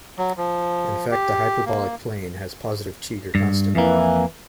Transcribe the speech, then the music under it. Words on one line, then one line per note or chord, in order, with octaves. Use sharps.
In fact the hyperbolic plane has positive Cheeger constant.
F#3
F3
G4
A#3
G2
F2 E3 A#3